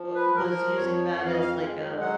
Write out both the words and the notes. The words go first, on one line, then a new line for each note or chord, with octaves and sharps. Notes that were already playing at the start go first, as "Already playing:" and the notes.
uh was using that as, like, a
Already playing: F3
B4
F3 A#4
F2 C#5
F2 F#5
F5
D#5
F5
G#3
F#3 F#5